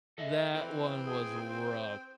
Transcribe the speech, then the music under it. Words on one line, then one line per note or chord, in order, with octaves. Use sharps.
That one was rough.
A4 D#5 E5
C4 E4 B4
G#4
C5